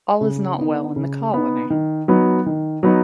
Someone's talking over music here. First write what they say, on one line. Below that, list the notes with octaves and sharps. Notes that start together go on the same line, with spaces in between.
All is not well in the colony.
C#3
B3 D#4
C#3
B3 D#4
D#3
F#3 B3 D#4
D#3
F#3 B3 D#4